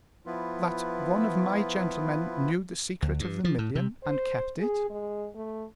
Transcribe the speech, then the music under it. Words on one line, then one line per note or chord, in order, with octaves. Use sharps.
"That one of my gentlemen knew the secret of the million, and kept it?"
F3 B3 E4 F4 B4
D2
G2
F3
A2
C3
C5
G#4
G#3
A3